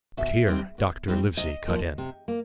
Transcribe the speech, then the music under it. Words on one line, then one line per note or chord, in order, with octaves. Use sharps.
But here Dr. Livesey cut in.
B2 E5
G3 C4 D#4
B2
G3 C4 D#4
C3 D#5
F3 A#3
C3
A#3